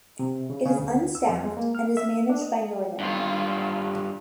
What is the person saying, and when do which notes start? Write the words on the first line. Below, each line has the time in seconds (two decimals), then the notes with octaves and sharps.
It is unstaffed, and is managed by Northern.
0.19 C3
0.50 C#3
0.66 C#3
0.79 D2
1.15 E6
1.29 F2
1.44 G#3
1.57 A#3
1.75 F6
1.97 E5
2.30 D4
2.42 D#5
3.00 G2 F4